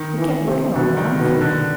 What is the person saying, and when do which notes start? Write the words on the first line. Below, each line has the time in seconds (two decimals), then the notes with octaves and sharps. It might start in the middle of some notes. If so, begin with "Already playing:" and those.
"We kept looking all round for you."
Already playing: D#3
0.18 E3
0.46 C3
0.76 B2 D3
0.97 D#3
1.09 D#3
1.19 B2 D3
1.41 D3